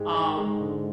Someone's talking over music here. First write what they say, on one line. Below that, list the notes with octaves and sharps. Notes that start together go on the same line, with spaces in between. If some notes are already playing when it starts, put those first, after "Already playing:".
U um,
Already playing: G#2 G#3 G4
D#4
G#2 G#3
D3